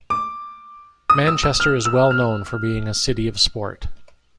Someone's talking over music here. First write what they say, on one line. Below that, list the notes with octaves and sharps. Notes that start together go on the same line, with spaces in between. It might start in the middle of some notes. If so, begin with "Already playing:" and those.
Manchester is well known for being a city of sport.
D6
D#6
E6
E6
F6
E6
F6